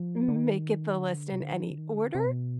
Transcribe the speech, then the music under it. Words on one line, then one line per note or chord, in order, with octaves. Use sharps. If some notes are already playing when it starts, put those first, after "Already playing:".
m make it the list in any order.
Already playing: F3
D3
D#3
D3
C3
D3
D#3
F3
D3
D#3
D3
C3
B2